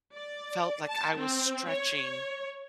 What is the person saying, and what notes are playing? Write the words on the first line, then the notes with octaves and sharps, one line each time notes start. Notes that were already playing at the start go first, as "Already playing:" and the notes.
felt like I was stretching
D5
A5
C4
C#5